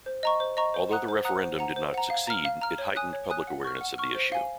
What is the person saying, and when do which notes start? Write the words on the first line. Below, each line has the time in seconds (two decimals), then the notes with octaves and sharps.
Although the referendum did not succeed, it heightened public awareness of the issue.
0.06 C5
0.23 D#5 A#5 C#6
0.40 C5
0.57 D#5 A#5 C#6
0.74 C5
0.91 F#5 A#5 D#6 F#6
1.08 C5
1.25 F#5 A#5 D#6 F#6
1.42 C5
1.59 F#5 A#5
1.76 C5
1.94 F#5 A#5
2.10 F5
2.27 A#5 F6
2.45 F5
2.62 A#5 F6
2.78 C#5
2.96 G#5 D#6 F#6
3.13 C#5
3.30 G#5 D#6 F#6
3.47 F#5
3.64 C#6 F6
3.81 F#5
3.98 C#6 F6
4.15 C5
4.32 F5 G#5